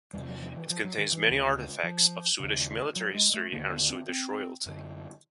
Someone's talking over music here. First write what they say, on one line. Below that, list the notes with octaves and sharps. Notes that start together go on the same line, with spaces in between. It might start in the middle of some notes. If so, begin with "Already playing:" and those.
It contains many artifacts of Swedish military history and Swedish royalty.
E2 C3 G3
F#3
F3
E3
F3
F#3
D#3
E3
D2 C#3
F3
D#2 C#3
F#3
G#3
A3
D#2 D3 A#3
B3
C4
C4
F#2 D3